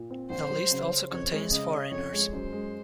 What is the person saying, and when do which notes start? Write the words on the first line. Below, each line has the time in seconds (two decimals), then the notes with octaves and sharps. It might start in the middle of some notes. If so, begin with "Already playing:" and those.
The list also contains foreigners.
Already playing: A#2
0.10 C4
0.30 A#1 C5
0.50 F#3
0.71 C#3
0.90 C#4
1.11 F2 C#5
1.31 G#3
1.51 C#3 D#5
1.72 C#4
1.91 F2 C#5
2.12 G#3
2.32 F#2 C5
2.52 G#3